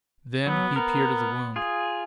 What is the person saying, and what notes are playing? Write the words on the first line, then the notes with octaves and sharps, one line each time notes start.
Then he peered at the wound.
F#3 B3
B3 A#4
F4 G#4